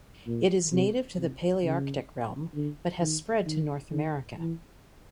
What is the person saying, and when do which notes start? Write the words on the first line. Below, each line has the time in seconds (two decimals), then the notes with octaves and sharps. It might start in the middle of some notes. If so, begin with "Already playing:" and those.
It is native to the Palearctic realm but has spread to North America.
0.27 A#2
0.72 C3
1.17 C3
1.64 C#3
2.54 D3
3.01 D#3
3.46 D#3
3.92 D#3
4.38 E3